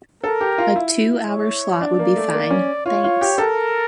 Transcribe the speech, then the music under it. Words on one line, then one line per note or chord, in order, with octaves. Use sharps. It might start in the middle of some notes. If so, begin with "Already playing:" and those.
A two hour slot would be fine, thanks.
A4 A#4
G4
F4
E4
C#5
D4 D5
A#3
A3
A#3
C#4
F4 C#5
F4
G4
A4 A#4